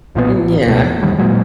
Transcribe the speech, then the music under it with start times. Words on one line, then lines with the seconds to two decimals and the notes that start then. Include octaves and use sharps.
M Yeah.
0.15 B1 A#2 D#3 B3
0.33 A1
0.66 C#2 B2 A3
0.84 E2
1.03 A#1 F2 D#3 G3
1.18 A#2 F#3 G#3